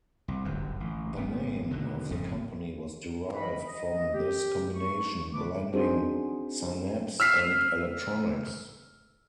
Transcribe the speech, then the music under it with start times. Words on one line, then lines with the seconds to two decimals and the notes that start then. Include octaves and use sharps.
The name of the company was derived from this combination, blending "synapse" and "electronics".
0.28 C2
0.45 D1 G1 F#2
0.80 A1
1.17 G#1 B3
1.71 B2 D3 D#3
2.10 G#1 F2 C#3
3.35 E3 D#5 B5
3.67 D#5
4.14 G4
4.74 C#6
5.34 E2 A#2 F3 D4 B4 D6
5.72 C4 D4 D#4 F#4 G#4 C5
7.20 E6 F6 B6 C7